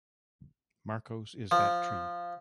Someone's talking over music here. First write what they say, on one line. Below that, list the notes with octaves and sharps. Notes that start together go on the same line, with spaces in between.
Markos is that tree.
F3